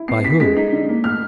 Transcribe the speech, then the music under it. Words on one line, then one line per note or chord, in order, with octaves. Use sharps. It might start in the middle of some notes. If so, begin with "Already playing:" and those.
"By whom?"
Already playing: E4
B3 C7
C#3 B6
G#3 B6
D#4
D3
A#3
A2 F6